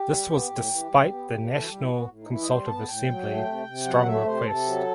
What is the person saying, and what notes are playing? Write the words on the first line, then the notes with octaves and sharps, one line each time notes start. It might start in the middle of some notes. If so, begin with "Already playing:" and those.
This was despite the National Consultative Assembly strong request.
Already playing: G4
G3
B3
A2
E3
G3
B3
A2
E3 A4
F#4
G3 G4
E4
B3 F#4
A2
D#4
E3 E4
D#5
G3 C5
B3 A5
A2 G5
F#3
A3
C3
C3
F#3 F#5
A3 E5
C3 C5
C3 A4
F#3